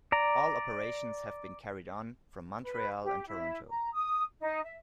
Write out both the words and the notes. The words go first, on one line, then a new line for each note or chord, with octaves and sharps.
All operations have been carried on from Montreal and Toronto.
D5 A#5
B4
G4
E4
A#5
D#6
D#4
E5